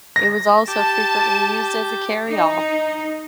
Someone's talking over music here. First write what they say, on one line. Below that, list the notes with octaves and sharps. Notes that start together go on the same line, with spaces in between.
It was also frequently used as a carry-all.
A#6
G4 A5 D6
D#4